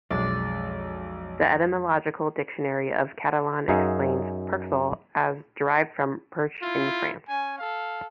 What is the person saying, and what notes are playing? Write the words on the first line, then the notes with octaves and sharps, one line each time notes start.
The etymological dictionary of Catalan explains "perxal" as "derived from Perche in France".
B1 F2 G#3 D5
F#2 D#4 G#4 E5 F5
E4 F4
C#4 G#5
A4 F5